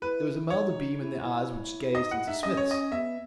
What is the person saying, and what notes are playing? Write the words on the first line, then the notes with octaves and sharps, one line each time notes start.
There was a milder beam in the eyes which gazed into Psmith's.
E4 B4
D#4 C#5
D#4
E4
E4
D#4 D#5
E4 F#5
D#4 E5
C#4 D#5
C#5
D#5
B3 E5